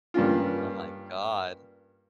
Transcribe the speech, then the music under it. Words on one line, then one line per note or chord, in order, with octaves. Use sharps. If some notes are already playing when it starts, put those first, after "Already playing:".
Oh my god.
G2 A#3 C#4 F4